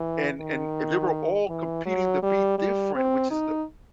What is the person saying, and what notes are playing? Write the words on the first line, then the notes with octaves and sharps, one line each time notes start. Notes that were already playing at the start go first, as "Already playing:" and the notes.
And and they were all competing to be different, which is the
Already playing: E3
D#3
E3
F#3
G3
G3
C4
D#4